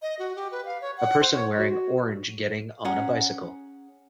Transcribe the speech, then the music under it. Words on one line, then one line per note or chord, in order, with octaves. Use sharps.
A person wearing orange getting on a bicycle.
D#5
F#4
G4
B4
F5
C#5
F#5
C5
C#5
F#4
C#4 G#4 F#5 A#5